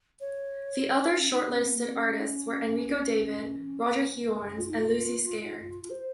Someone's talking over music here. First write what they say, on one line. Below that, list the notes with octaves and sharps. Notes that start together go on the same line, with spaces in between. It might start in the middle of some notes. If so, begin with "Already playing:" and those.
The other shortlisted artists were Enrico David, Roger Hiorns and Lucy Skaer.
C#5
D#4
C#4
D#4
C#4
C4
A#3
C4
C#4
F4
D#4
F4
C5